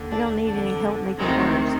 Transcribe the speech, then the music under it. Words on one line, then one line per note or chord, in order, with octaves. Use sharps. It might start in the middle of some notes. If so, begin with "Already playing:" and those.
We don't need any help making it worse.
Already playing: D#2 D3
D4
F2 D3 D4
D2 C3 D#3 G#3